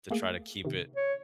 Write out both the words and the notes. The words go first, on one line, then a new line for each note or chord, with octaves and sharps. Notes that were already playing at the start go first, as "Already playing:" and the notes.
to try to keep it,
A3 A#3 G#4
C3 D#3
C#5